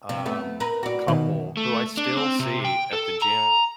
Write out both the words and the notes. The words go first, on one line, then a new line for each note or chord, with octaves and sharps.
um, a couple who I still see at the gym
C3 F3
A3 B3
A#4 B4
F#4 D5
B2 D#3
A3
D4
C4
C3
G5
A4
A#5